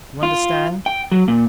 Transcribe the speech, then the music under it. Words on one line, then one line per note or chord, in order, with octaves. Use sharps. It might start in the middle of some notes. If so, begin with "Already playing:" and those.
You understand?
F4
G5
F#3
A#2